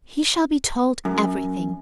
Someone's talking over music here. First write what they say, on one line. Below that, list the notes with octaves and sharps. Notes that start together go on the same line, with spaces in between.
"He shall be told everything."
F#2